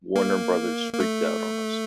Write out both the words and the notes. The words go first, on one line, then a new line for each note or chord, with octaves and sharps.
Warner Brothers freaked out on us.
A#3
A#3
A3